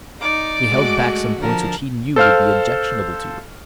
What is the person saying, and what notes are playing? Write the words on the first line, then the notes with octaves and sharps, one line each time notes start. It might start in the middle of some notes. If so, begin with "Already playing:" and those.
He held back some points which he knew would be objectionable to you.
D#4 D5 D6
G#3 A3 F#4
D3 F3 A#4 A5
A4 C5 F5 F6